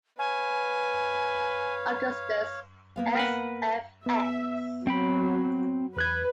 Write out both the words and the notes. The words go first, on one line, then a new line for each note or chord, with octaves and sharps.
Augustus S. F. X.
B4 C#5 F5 G#5
A#3 B3 F5
A#4 B4 F#5
B3 E5
F#3 C4 G5 B5
E2 B4 F#6 G#6